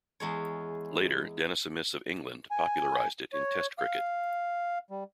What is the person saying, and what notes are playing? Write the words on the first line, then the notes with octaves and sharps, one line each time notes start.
Later Dennis Amiss of England popularised it in Test cricket.
E2 G#3 C#5
G#5
C#5
F5
G3